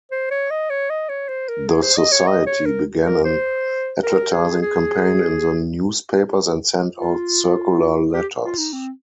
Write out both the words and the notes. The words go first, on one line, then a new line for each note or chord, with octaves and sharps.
The society began an advertising campaign in the newspapers and sent out circular letters.
C5
C#5
D#5
C#5
D#5
C#5
C5
A#4
G#4
C5
D#5
C#5
D#5
C#5
A#4
A#4
C5
A#4
G#4
G#4
F4
G4
F4
D#4
C4